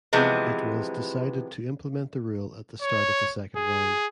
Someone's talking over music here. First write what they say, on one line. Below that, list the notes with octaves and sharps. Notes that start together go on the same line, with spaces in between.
It was decided to implement the rule at the start of the second round.
C3 E3 F3 G#3 B3
C#5
G#4